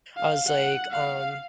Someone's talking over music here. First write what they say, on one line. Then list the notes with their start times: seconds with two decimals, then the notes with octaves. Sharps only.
I was, like, um,
0.17 F5
0.47 F#5
0.91 F5